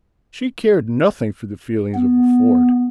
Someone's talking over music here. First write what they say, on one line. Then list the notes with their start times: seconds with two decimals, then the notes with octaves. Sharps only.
She cared nothing for the feelings of a ford.
1.95 B3